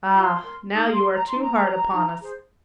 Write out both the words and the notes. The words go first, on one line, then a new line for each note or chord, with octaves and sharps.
'Ah, now you are too hard upon us!
F4 C6
A#4
D#4 D#6
C6
A#4
A#5
C6
D#4
A#5
C5
D#4
G#4 C5